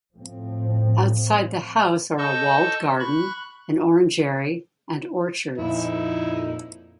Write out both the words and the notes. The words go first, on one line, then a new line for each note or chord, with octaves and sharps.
Outside the house are a walled garden, an orangery and orchards.
A2 F3 C4
A4 D#5 A5 C#6 E6 G6
B5 C#6 F#6
F2 A#2 D#4 E4